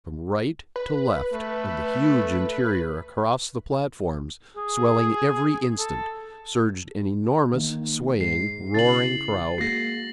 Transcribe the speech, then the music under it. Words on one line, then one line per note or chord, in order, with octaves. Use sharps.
From right to left of the huge interior, across the platforms, swelling every instant, surged an enormous swaying, roaring crowd.
B4
A3
G#4
A4
D#3 A#3
G#2 C7
C#3 E4 A6 F#7
G#3 A#3 F#4 A#6 C7